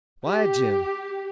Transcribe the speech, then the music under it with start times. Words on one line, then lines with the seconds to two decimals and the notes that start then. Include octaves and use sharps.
"Why, Jim?"
0.25 G4